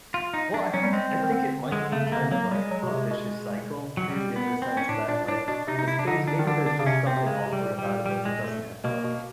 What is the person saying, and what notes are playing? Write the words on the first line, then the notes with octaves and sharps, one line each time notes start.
Well, I think I think it might be kind of, like, a vicious cycle too, in the sense that, like, the space maybe there's just something awkward about it, like it doesn't have parking.
F4
D#4
D4
F#3 C#4
G3
G#3 C4
D#3
D3
D#3
D3 G#3
D3
C#3 A3
A3
D3 A#3
F#3 A#3
G3 G#3
F#3
B2
C3
B2
F#3
G3
B3
C4
C#4
A2 D4
A#2 D4
A2 D4
B2 D4
C3 D#4
D#4
E4
D4
D3 D#4
D4
D#3
D3 D4
D4
C#3 D4
C3 C#4
C4
C3
C#3 G#3
C3
G3
A#2
G3
A#2
G3
G#3
A3
B2 A#3
B2